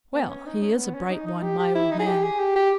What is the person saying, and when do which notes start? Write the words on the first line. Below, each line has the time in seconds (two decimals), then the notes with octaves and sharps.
Well! he is a bright one, my old man!
0.14 B3
0.30 C#4
0.46 D#4
0.62 C#4
0.78 B3
0.94 C#4
1.10 D#4
1.27 D#4
1.42 G4
1.59 G4
1.75 E4
1.91 D#4
2.00 G#4
2.07 G4
2.23 G#4
2.39 G4
2.56 G4